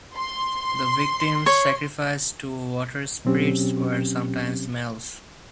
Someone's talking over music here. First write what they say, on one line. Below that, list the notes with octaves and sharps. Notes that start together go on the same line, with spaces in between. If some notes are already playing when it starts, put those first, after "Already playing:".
The victims sacrificed to water-spirits are sometimes males.
C6
C#5
B2 F#3 C4 C#4 G4